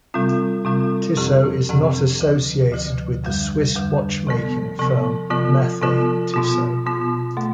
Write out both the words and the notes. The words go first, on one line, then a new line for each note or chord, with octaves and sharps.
Tissot is not associated with the Swiss watchmaking firm, Mathey-Tissot.
C3 G3 C4 F4
C3 G3 C4 F4
F2 C3 F3 C4 G4
F2 C3 F3 C4 G4
D2 D3 F3
D2 D3 F3
F2 D3 G3
F2 D3 G3
C3 F3 B3
C3 F3 B3
C3 F3 B3 F4
C3 F3 B3 F4
B2 B3 F4
B2 B3 F4
B2 A3